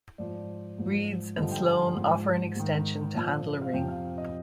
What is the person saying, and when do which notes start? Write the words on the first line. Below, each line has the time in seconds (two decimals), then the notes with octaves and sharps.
Reeds and Sloane offer an extension to handle a ring.
0.18 G#2 F3 D5
0.78 G#2 F3
1.37 G2 D3 F3 D#5
1.51 G5
1.66 G#5
1.81 C6
1.96 G#2 F3
2.55 G#2 D#3
3.14 A#2 F3
3.62 F5
3.73 F2 C3 F3 G5
3.88 F5
4.18 D#5